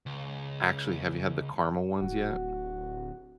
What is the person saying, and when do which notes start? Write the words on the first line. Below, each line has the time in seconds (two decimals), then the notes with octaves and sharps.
Actually, have you had the caramel ones yet?
0.06 C#2
2.01 D1 F#4